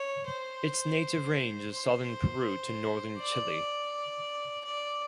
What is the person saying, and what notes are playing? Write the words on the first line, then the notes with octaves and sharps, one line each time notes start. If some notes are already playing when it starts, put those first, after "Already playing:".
Its native range is southern Peru to northern Chile.
Already playing: C#5
C5
C5
D5
D5